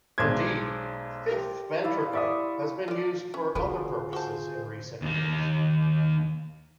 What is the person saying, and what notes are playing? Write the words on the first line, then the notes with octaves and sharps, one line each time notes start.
Indeed, "fifth ventricle" has been used for other purposes in recent years.
B1 G#3 C5 D5 G#6
G4
E4 D5 F5
D5 E5 C6 C#6 D#6
F4 D5
C#4
D3 F3 C#4 F4 F#4 G#4 A#4 B4
F#4 C5 A5
D#2 A#3